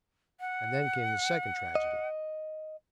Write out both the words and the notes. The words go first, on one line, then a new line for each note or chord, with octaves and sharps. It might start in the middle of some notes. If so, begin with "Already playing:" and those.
And then came the second tragedy.
F#5
D#5